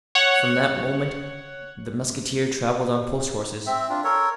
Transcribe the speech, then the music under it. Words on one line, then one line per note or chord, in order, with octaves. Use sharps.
From that moment the musketeer travelled on post-horses.
C#5 F#5
C4 E5
D4 F4
A4 A#4 C#5